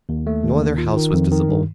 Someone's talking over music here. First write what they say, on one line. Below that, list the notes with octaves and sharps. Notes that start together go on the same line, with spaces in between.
No other house was visible.
D#2
A3
D#2
D#3
F4
D#3
F2
D#3
G2